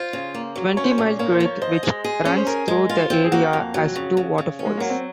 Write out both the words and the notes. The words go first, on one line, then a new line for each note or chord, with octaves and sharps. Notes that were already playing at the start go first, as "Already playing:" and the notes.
Twenty Mile Creek, which runs through the area, has two waterfalls.
Already playing: F4 C5
C#3
A#3
F#3
C#4 C#5
C5
C#5
A#2
A#3 C#5
C5
F3 C#5
C5 D#5
G#3
G#4
C#4
C5
G#4 A#4
G#3
F4
C4
G#4
A#3 F#4
F2
F#3
C#3
C#3
C#3
C#4
G#3
F#3 A#3
C4